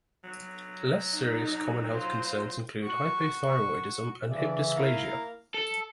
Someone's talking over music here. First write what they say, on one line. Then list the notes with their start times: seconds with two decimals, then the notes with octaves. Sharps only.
Less serious common health concerns include hypothyroidism and hip dysplasia.
0.24 F#3
1.13 D#4
1.92 F4 C5
2.83 F#4 C#6
4.30 C#3 E3 D4 G#4 D5 E5
4.76 A#3 E4 A#4 F5
5.54 A4